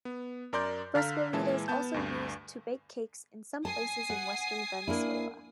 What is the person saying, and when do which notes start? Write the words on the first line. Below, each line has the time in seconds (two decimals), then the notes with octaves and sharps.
Frescolita is also used to bake cakes in some places in Western Venezuela.
0.05 B3
0.53 F#2 A#4 D5 C6 G6
0.95 D3 F5 A#5 F6 B6
1.33 A#2 E3 G#3 E4 A5
1.68 B3 A5 G6
1.94 D2 G2
3.65 G#5 A5 D#6 C7
4.10 F#5
4.88 A#3 D4 E4